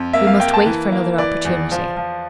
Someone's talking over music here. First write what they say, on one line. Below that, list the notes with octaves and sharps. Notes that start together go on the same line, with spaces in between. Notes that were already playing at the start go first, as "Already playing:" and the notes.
We must wait for another opportunity.
Already playing: F2
A#3 E5
F5
A#3 G5
A5
E3
A#3
E3 D5
E2
F3
F3